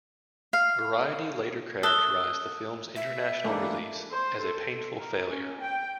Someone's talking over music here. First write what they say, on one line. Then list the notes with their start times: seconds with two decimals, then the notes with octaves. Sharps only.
"Variety" later characterized the film's international release as "a painful failure".
0.53 F5
1.83 A4 D#6 F#6 G7
2.96 E5
3.44 G#2 E3 A3 A#3 D4
4.12 C5
4.42 A4
4.98 A#4
5.29 C#4
5.59 G5